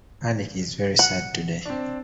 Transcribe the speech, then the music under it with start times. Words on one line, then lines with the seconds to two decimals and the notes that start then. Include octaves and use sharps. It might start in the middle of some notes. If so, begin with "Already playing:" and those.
Hardik is very sad today.
0.99 F#5
1.65 C4 D4